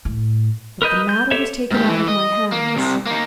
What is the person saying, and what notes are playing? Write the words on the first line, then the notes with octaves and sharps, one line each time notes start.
But the matter was taken out of my hands.
A2
A#4 B4 D#5 G6
G6
G4 A4 C5 C#5 E5
G#2 G4
E3
D#5
A#3
C2 C3
A#3 D#4